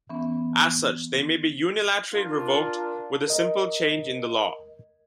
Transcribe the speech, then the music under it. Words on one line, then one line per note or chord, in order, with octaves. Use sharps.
As such they may be unilaterally revoked with a simple change in the law.
E3 B3 C#4
D4 F4 A#4
A#4 D#5